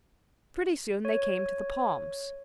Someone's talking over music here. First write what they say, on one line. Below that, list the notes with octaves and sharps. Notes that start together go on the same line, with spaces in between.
Pretty soon they came to the palms.
C#5